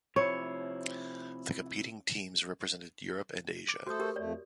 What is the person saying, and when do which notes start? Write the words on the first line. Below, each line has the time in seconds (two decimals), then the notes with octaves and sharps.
The competing teams represented Europe and Asia.
0.16 C3 F3 E4 C#5
3.68 D6
3.87 A3 F#4 A4 C5 D#6
4.00 G4 A#4
4.16 F2 A3 C#5 D5